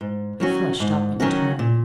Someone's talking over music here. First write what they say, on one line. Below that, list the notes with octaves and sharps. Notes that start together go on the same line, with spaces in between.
I flushed up in turn.
G#2
D#3 F#3 C#4 F#4
G#2
D#3 F#3 C#4 F#4
A#2